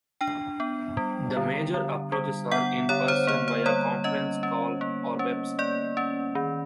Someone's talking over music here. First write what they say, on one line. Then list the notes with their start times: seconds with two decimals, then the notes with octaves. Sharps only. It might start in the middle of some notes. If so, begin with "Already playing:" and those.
The major approaches are "in person", via "conference call" or "website".
0.21 D4 G5
0.60 B3
0.97 G3
1.37 D3
1.74 D3
2.12 G3
2.51 B3 F#5
2.89 D3 C#5
3.08 C5
3.27 A#3 C5
3.48 C5
3.66 G3 C#5
4.04 C#4 D#5
4.43 C#4
4.81 A#3
5.19 C#4
5.59 A#3 D5
5.97 C#4
6.35 D#3